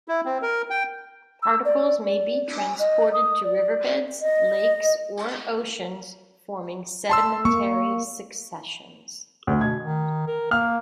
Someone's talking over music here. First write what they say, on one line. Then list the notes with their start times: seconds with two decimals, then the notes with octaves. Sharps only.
Particles may be transported to riverbeds, lakes, or oceans, forming sedimentary successions.
0.08 E4
0.25 C4
0.42 A#4
0.70 G5
1.42 E6
1.65 D5
2.05 D5
2.58 G#5
2.79 D#5
3.13 D#6
3.44 D5
4.21 D#5
7.10 A5 C6 E6
7.45 A#3 C#6
9.47 D2
9.61 B2 G#6
9.81 D#3
10.28 A#4
10.51 A#3 F6